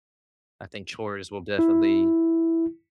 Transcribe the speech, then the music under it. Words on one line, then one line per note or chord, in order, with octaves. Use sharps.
I think chores will definitely
E4